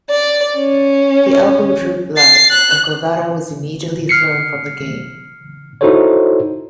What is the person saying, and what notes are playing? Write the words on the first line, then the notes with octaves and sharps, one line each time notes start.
The elbow drew blood, and Guevara was immediately thrown from the game.
D5
C#4
A6 C7
F#6
F6 C7 C#7
D#4 E4 F#4 A4 C5 C#5